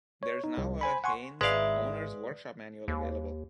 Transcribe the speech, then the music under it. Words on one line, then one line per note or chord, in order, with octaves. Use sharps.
There is now a Haynes Owner's Workshop Manual available.
C#5
D#4
C2
C5 G#5 B5
F#5 G#5 C6 C#6
G#1 G#3 D#4 E4 B4 D5 E5 F5
D#2